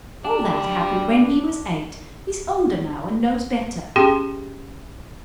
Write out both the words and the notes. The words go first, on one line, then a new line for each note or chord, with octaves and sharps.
"All that happened when he was eight; he's older now and knows better."
G3 D4
C#4 G4 G#4 G5 C6